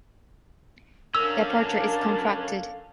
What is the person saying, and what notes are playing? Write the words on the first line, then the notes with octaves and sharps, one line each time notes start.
The aperture is contracted.
F#3 C#4 D4 A4 A#4 F5 E6